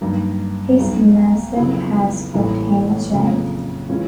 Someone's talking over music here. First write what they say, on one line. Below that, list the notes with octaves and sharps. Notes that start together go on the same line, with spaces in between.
His nursery has kept him a child.
G2 D#3 F#3 A#3
B1 B2 G3
F2 C#3 F#3 B3 E4
A1 A2 E3 G3 A#3
F2 C#3 F#3 A#3 C#4
E3 G#3 C#4 F4